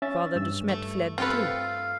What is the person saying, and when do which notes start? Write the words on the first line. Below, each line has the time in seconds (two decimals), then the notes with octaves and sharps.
Father De Smet fled, too.
0.02 C#4 E5 A6
0.36 G2 E6
0.68 A3
1.18 C4 F4 G4 A4 B4 F5